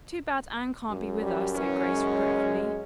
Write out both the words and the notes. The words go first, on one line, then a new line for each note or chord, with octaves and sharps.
"Too bad Anne can't be with us," said Grace regretfully.
F#2
G3
E3 C#4
G#3